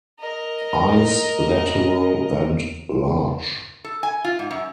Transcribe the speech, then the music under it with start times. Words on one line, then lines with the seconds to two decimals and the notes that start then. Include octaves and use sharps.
Eyes lateral and large.
0.19 A#4 D#5
3.84 A4
4.03 G#5
4.24 F4
4.39 G#2
4.51 F#2